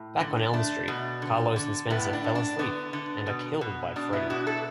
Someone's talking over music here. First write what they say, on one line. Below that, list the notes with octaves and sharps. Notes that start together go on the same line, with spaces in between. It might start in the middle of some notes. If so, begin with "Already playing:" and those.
Back on Elm Street, Carlos and Spencer fall asleep and are killed by Freddy.
Already playing: A2
D3
A3 D4
B2
D3
D3
A2 B3
D4
A2
D4
D3 B3
D3
B2
B2
B2 D4
B3 E4
B2 D4 F#4
E4 A4